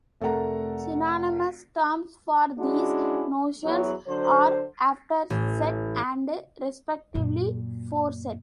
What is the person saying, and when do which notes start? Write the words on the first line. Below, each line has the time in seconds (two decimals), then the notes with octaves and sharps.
Synonymous terms for these notions are afterset and respectively foreset.
0.21 F1 A3 A4 A#4 F#5 A#5
2.58 G#3 C#4 D4 E4 F#4
3.64 E2 F#3
4.07 D3 F#3 C5
5.30 A1
7.15 F#2 A#2